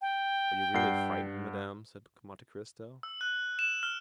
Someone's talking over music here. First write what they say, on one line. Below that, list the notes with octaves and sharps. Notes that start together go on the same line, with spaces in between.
"Are you really frightened, madame?" said Monte Cristo.
G5
G2 F#5 C7
E6
F#6
E7
F6